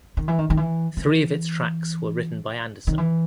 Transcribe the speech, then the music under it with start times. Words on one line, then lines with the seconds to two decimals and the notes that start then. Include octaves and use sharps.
Three of its tracks were written by Anderson.
0.17 D#3
0.28 E3
0.38 D#3
0.50 D#3
0.57 E3
0.97 E3
2.87 D#3
2.98 E3